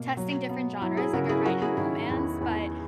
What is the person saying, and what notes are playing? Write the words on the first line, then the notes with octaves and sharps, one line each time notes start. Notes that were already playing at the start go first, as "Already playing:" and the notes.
testing different genres, like, I write in romance, but
Already playing: B2 A#3
F#3
B3
F#3 E4
E4 G#4
C#3 F#4 A#4
E4 G#4
F#3 F#4 A#4
E4 G#4
D#3 E4
E2 E4
E2